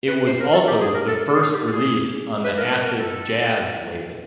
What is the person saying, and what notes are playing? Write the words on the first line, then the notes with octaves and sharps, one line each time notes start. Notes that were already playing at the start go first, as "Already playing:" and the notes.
It was also the first release on the Acid Jazz label.
B4
C5
A#4
A4
G4
G#4
A#4
A4
A4
G#4
G4
A4
G#4
B4
A#4
B4
A#4
A4